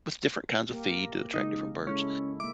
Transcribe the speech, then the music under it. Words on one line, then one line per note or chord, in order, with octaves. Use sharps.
With different kinds of feed to attract different birds
A#3 G4 A#4
C#3 G#3 D#4
G#3 C#4 E4 A4
A#3 E5 D6